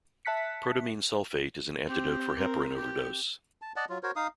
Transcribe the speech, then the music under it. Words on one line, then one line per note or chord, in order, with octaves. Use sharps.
Protamine sulfate is an antidote for heparin overdose.
E5 A5 F#6 B6 C#7
C4 G4
C4 A#4
G4
A5
D5 D#5 F#5 A5
F#3 F4
F#4 A#4 C5 C#5
D#4 F5 D#6